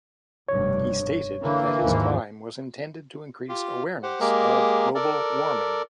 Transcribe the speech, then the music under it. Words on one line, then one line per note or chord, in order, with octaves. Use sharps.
He stated that his climb was intended to increase awareness of global warming.
F1 G2 B2 C#5
D3 E3 A#3
D#2 G#2 F3
F4 G4
G4 C5 F#5
G#3 A#3 G4 G#4 A#4
A4 A#4 D5